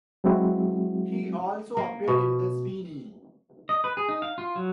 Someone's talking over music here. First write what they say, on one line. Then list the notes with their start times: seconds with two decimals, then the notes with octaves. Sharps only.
He also appeared in "The Sweeney".
0.24 F#3 G#3 C4 E4 F#4
1.77 A#3
2.08 B2
3.69 D#5
3.84 B4
3.97 G#4
4.09 D#4
4.22 F5
4.38 F4
4.56 F#3